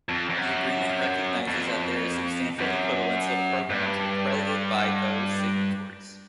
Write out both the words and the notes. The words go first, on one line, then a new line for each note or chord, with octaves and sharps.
The agreement recognizes that there is substantial equivalence of programs accredited by those signatories.
F2
F2
F#2
F2
F#2
G2